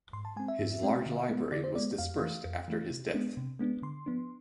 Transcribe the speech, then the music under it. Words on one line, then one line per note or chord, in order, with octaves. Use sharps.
His large library was dispersed after his death.
G#2 C6
A5
G#3 C4 G#5
E5
G#2
G#3 C4
D3
G#3 B3
D3 D5
C5
G#3 B3 D5
F2 F5
E3 A3
F2
E3 A3
C3
G#3 B3 D4
C3
G#3 B3 D4
D3 C6
F3 B3 D4